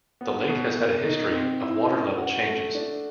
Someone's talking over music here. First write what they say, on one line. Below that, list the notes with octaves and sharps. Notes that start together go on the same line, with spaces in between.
The lake has had a history of water level changes.
B3
B2
A#3
D#4
C4
E4
C#4
F#4
A3
D4